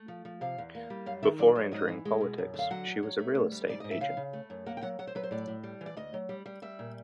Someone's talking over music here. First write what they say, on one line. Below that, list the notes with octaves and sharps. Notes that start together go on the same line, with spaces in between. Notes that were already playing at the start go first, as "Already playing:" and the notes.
Before entering politics, she was a real estate agent.
Already playing: A3
F3
F3
C3 F5
E2
A#3
G3
F#2 F5
D#3 E5
F#3 D5
F#3
G#2 D#5
E3
G#3
B2
F#2
D3
F5
F#3 F#5
E2
F#3
A3
D2
G3
G#2 D5
G#2 D#5
E5
C#3 F5
C#3
A3
F#2
A#3 F#5
G5
F#3 F#5
F#3 F#5
C5
F#3 B4
C5
A2 D5
A2
G3
E3
D5
D2 D#5
F#3
G3
G3
G3 E5
A#2